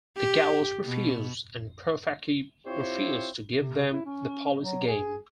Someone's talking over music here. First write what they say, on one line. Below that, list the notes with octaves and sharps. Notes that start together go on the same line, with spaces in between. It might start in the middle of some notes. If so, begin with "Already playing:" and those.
The Gallos refused and Profaci refused to give them the policy game.
G4
B2
C4 E4 F4 G4 C5 C#5
C3
E4
C#4
F#3
G#4